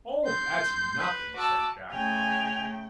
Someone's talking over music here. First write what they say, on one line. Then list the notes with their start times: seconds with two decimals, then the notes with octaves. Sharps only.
'Oh, that's nothing,' said Jack Hopkins.
0.25 C6 G6
0.99 B4
1.36 F#4 A5 D6 E6
1.92 C#3 A3 G5 G#5 F7